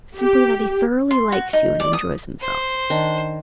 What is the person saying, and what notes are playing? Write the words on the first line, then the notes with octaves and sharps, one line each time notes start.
Simply that he thoroughly likes you and enjoys himself.
G4
C6
F#4
D#4
D5
D#6
C5
D#3 D4